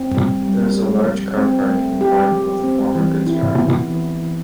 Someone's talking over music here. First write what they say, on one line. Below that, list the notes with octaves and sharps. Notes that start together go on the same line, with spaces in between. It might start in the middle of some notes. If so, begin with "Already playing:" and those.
There is a large car park in part of the former goods yard.
Already playing: C4
G3
G3
G4
F3
C4
A3
G4
F3
C4
E3
E4
B3
E3
E3